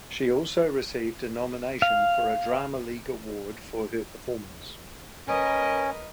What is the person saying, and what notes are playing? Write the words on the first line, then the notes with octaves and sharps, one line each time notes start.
She also received a nomination for a Drama League Award for her performance.
F5
C#4 A#4 B4 D#5